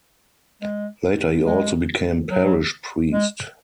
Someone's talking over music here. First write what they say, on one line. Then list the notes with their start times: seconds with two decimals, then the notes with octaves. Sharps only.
Later he also became parish priest.
0.62 G#3
1.46 G#3
2.29 F#3
3.13 G#3